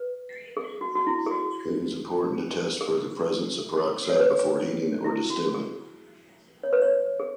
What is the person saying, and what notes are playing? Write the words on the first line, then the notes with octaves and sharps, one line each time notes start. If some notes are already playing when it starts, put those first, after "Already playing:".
It is important to test for the presence of peroxides before heating or distilling.
Already playing: B4
G#4
F#4
F#4
E4
G#4
F#4
G#4
C#5
B4
G#4
E4
F#4
G#4
C#5
B4
C#5
G#4